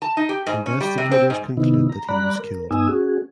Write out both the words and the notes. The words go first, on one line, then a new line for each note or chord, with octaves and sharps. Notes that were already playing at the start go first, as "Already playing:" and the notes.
Investigators conclude that he was killed.
A5
D#4
G4
G#2
C#4
G3
C3
C4
G#2
C3 D#3 B3 D#4 E4
A#5
G3 D5 A#5 B5 F#6
A#4
G2 B3 D#4 G#5 D#6 E6
C#4 F#4 G#4